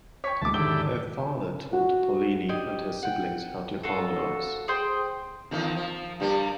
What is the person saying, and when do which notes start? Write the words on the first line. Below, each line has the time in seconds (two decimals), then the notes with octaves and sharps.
Their father taught Paulini and her siblings how to harmonise.
0.24 C#5 G5 C#6 B6
0.41 D1 D2 G#3 A5 D6
0.54 E1 G#2 D3 D#3 E4 G4 D5 G7
1.73 F#4
2.49 G4 D5 D#5 G#5
3.03 F#5 G5
3.83 C#4 F4 F#4 A4
4.68 G#4 C5 G5 D#6
5.51 E2 D#3 A#3
5.76 F3
6.20 G2 G3 A#3